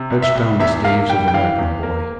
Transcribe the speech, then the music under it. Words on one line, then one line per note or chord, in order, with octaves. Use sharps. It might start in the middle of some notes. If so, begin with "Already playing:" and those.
Fetch down the staves of the rack, my boy.
Already playing: C3
C2
E5
C2
E2 E5
A#3 F5
G3 G5
G5
E3 F5
E2
A#3